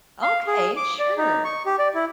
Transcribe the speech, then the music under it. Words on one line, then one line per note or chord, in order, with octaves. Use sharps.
Okay, sure.
F5
G#4
D6
D5
D#4
C#6
G4
D5
E4